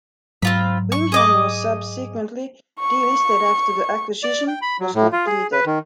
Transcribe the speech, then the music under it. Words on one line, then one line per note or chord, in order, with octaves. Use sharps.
Wing Hang was subsequently delisted after the acquisition was completed.
G#2 F#3 C4 F4 B5
C#6
G#4 D#5 D6
C#6
D5
G5
B5
F#3
A2
F4
G#4
B4
D#3